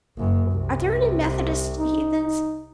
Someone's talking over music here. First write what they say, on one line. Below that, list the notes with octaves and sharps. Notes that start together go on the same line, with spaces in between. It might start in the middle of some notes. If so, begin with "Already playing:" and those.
Are there any Methodist heathen?
F#1 F#2
C2 C3
D#4